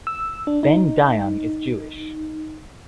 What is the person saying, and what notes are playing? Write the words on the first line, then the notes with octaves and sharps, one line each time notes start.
Ben Dayan is Jewish.
E6
D4
D#4